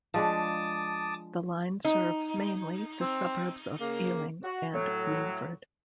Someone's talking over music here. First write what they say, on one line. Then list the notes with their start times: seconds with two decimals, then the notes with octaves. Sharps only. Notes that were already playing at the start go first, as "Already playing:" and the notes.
The line serves mainly the suburbs of Ealing and Greenford.
0.14 F3 G#3 D4 A5 D6 D#6
1.85 D#4
3.01 C4
3.81 C#3 A#3
4.44 F#4
4.73 A2 F#3